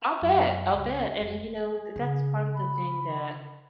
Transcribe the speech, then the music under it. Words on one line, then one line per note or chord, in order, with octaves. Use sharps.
I'll bet, I'll bet, and you know, that's part of the thing that,
F#2
C#2
F1
G#4
C#3
B5